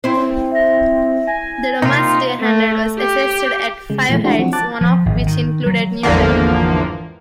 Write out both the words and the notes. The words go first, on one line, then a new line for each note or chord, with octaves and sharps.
The Domesday hundred was assessed at five hides one of which included Newton.
C4 E4 C5
E5 A#6
G#5 A#6
C3 A#3 D#4 F4
A3
G4
C#3 G#3
A#2 E3 F3 G#3 A3
G#3 A3 D4 E4 F#4
F3 F#3 C4 F#4
A5 D6 F#6 A6
F3
G#1
D#3
F#3
G#1 E2 D3 F3 A#3